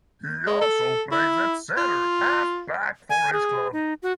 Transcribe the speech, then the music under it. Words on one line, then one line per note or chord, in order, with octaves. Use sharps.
He also plays at centre half back for his club.
G#3
A4
E4
F4
G#5
G#4
D#4
F#4